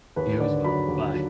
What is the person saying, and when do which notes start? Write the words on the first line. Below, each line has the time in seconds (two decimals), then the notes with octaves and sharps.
You as well. Bye.
0.16 D#2 B4
0.40 D3 D5
0.64 F#3 B5
0.88 D#2
1.13 F#3